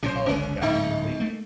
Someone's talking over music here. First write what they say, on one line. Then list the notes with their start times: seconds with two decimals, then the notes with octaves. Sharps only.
Oh my god, completely.
0.03 B1 A#2 C#3 C#4 C5
0.26 G1 C#2 D3 C#4
0.62 D1 G#2 G#3 D#4
1.20 A3 A#3